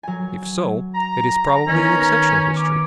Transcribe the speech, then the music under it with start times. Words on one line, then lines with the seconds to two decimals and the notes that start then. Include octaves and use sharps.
If so, it is probably an exceptional history.
0.03 F#3 G#5
0.94 A#5
1.68 D#3 B3 C#4
2.56 D6